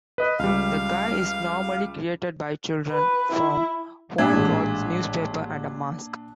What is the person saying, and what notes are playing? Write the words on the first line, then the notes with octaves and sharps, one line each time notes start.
The "guy" is normally created by children, from old clothes, newspapers, and a mask.
B4 D#5
C#2 G3 F5
B4
E4
A#2 D4 E5 G#6
A1 G#3